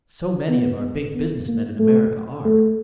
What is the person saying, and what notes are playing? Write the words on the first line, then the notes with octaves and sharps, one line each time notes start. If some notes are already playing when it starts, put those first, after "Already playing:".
So many of our big business men in America are.
B3
B3
A#3
A3
A3